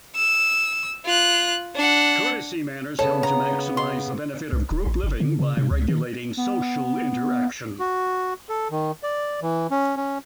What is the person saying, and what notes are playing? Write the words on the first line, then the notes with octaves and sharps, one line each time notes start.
Courtesy manners help to maximize the benefits of group living by regulating social interaction.
E6
F4 F#6
D4 F#5
C#3 B3 A4 C#5
A#5
C6
C2
D1
A1
G1
D3
C#3
C3
C#2
D#3
B3
F#4
A4
D#3
D5
E3
C#4
C#4